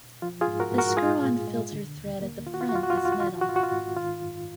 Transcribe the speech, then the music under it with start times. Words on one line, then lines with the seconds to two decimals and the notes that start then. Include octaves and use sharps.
The screw-on filter thread at the front is metal.
0.22 F3 F4
0.41 F4 G#4
0.48 G#2
0.60 F#4 A#4
0.72 G#2
0.78 F#4 A#4
0.97 G#3 F4 G#4
1.23 A#2
1.47 G#3
1.72 D3
1.97 D#2
2.22 A#3
2.46 D#3 F4
2.54 F#4
2.61 F4
2.69 F#4
2.72 F2 F4
2.83 F#4
2.90 F4
2.96 F2 F#4
3.05 F4
3.12 F#4
3.20 D#3 F4
3.27 F#4
3.34 F4
3.42 F#4
3.46 G#2 F4
3.56 F#4
3.63 F4
3.72 G#2
3.97 D#3 F4
4.21 F#2